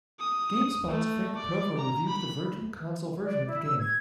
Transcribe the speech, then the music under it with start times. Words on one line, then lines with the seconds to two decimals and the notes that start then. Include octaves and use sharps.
"GameSpot"s Frank Provo reviewed the Virtual Console version of the game.
0.19 D#6
0.88 A3
1.37 D5
1.77 A#5
2.07 B5
3.25 D5
3.47 E4
3.63 E6
3.79 G#6